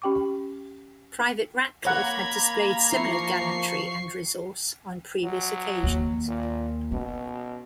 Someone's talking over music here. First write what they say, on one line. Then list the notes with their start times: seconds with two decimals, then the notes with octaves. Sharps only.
Private Ratcliffe had displayed similar gallantry and resource on previous occasions.
0.02 C#4 G4 G5 C#6 D6
1.85 A#3 C#5 F#5 A#5 B5 G#6
2.93 F3 E4 C#6 C7
5.23 F#3
5.83 D#2
6.28 A#2
6.92 B2 C#4